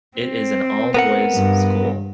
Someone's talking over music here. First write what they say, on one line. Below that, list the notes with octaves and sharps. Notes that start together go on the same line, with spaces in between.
It is an all-boys school.
C4
B3 A#4 F#5
G2